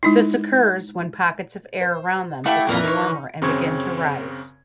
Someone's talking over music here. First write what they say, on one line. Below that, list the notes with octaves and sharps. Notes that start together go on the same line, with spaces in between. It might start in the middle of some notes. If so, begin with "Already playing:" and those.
This occurs when pockets of air around them become warmer and begin to rise.
G#3 D#4 E4
C5
A3 E4 G4 F5 F#5
F2 A#2 E3 A#4 A#5
D#4 A#4 C#5
F#2 C#3 C4 C#6 G#6